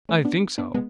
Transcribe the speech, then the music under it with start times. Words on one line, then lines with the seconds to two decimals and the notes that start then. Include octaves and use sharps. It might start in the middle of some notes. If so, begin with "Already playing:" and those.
"I think so."
0.09 A3 C#4
0.25 B3 D4
0.58 B3 D4
0.74 G#3 B3